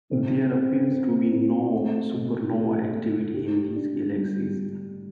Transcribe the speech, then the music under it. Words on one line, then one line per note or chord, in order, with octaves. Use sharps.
There appears to be no supernova activity in these galaxies.
C4
C4
C4
C4
A3
B2
A3
A3
G4
D4
G3
G3